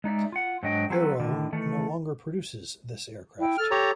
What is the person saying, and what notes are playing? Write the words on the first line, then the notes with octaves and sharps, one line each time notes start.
Aero no longer produces this aircraft.
G#3 D#4 D5 E5
F4 F#5
G#2 F#3 D4 D#5 G5
F#3 C4 G#4 A4 B4
A2 D3 D#3
D#3 E3 A3 A4
E4 G5
A4 F6
G4 C#5 A#5